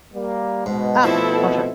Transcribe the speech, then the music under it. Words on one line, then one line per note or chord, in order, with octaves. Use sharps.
Ah! So true.
G3 A#3
G#2 B2
F3 A3 C4 E4 A4